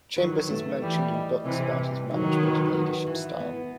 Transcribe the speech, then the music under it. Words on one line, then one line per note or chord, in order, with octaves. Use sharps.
Chambers is mentioned in books about his management and leadership style.
D#3 F#3 B4
A3
E3 G3 E4
D#5
C3 E3 G4
G3
D#3 F#3 D#4
B4
F#4
E3
B3